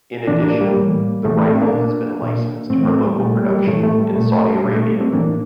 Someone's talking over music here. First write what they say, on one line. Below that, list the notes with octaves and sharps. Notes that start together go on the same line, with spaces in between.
In addition, the rifle has been licensed for local production in Saudi Arabia.
A2 E3 A#3 D4
A#3 D4
G3 A#3
A2
E3
A2 E3 A3
A3
A3 C4
A#3 D4
A#2
A#2
A2 E3 A3 C4
A3 C4
A3
G3
A#2 A3
G3 A#3
G3
A2 E3 A3
A3
G3
A#2 A3
A3
G3
A#2 A3
A3
G3 A#3
A3 C4
A2 E3 A#3 D4